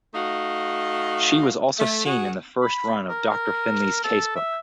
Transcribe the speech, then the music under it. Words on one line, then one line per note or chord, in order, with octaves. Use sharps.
She was also seen in the first run of "Doctor Finlay's Casebook".
A3 D#4 F#4 F5
A3
F#4 G#4
B5
A#4
A#4
A4
E5